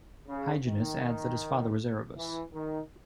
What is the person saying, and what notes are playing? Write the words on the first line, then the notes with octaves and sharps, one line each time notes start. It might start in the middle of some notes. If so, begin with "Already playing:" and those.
Hyginus adds that his father was Erebus.
C#3
D#3
E3
D#3